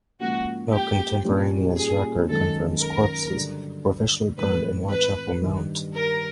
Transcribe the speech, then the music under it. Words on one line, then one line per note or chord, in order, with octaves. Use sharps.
No contemporaneous record confirms corpses were officially buried in Whitechapel Mount.
G#2 F3 A#3 C#4 F#4
G4
A#2 G3 A#3 C#4
G#4
F#2 D#3 G#3 C#4 A4
A#4
G2 D3 F#3
A2 E3 G#3 C4 B4
B4
G2 D#3 G3
A#4